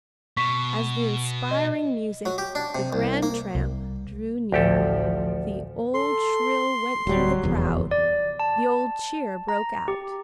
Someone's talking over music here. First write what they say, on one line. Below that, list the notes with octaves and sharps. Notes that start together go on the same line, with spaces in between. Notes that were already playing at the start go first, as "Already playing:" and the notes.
As the inspiring music, the grand tramp, drew near, the old thrill went through the crowd, the old cheer broke out.
B2 C#6 B6
D#5
F#3
G4
D4
C3
C2
A#3
C2
A1 D2 F3 G4 A4
A4 C6
D1 F#3 G3
F1 E2
D5
A5
A#5
G4